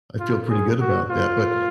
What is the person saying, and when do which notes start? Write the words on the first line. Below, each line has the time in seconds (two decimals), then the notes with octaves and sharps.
I feel pretty good about that, but
0.20 F4
0.50 G#4
0.80 F#4
1.10 F4